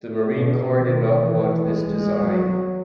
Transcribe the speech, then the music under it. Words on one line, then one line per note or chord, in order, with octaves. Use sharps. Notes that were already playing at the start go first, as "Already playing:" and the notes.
The Marine Corps did not want this design.
B2
D#3
E3
G#3
G#3
F#3